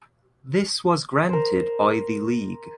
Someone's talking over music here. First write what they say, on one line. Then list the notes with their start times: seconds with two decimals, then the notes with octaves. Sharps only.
This was granted by the league.
1.29 A#4 C5